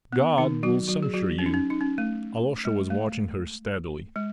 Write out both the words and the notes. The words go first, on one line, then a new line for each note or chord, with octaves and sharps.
"God will censure you." Alyosha was watching her steadily.
B3
D#3 D#4
F#3 F#4
F#3 F#4
G#4
F#3 F#4
C#4
D#4
C#4
D#4
C#4
A3
G#3
A3
G#3